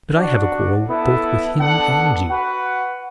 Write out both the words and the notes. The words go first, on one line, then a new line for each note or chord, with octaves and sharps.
But I have a quarrel both with him and you.
D4 F#4 D5 F#5
B3 E4 A4
B3 D4 A4 F#5
F#4 B4 F#5